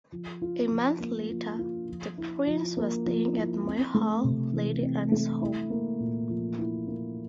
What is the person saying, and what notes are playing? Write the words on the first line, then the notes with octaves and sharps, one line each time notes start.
A month later the Prince was staying at Moy Hall, Lady Anne's home.
F3
F4
F3
A#3
F3
F4
F3
E4
F3
A#3
F3
E4
C4
A3
C3
E3
C4
A3
E4
A#3
A#2
F3
E4
A#3